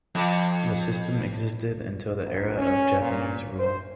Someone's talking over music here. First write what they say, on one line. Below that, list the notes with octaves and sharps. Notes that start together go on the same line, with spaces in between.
The system existed until the era of Japanese rule.
F2 F3
A#1
C#4
A#2
C5